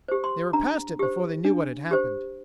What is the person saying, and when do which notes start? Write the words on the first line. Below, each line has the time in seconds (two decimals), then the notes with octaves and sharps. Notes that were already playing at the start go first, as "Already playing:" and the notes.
They were past it before they knew what had happened.
0.08 G4 C5
0.24 C6
0.53 D4 A#5
0.99 G4 C5
1.45 D4
1.91 G4 C5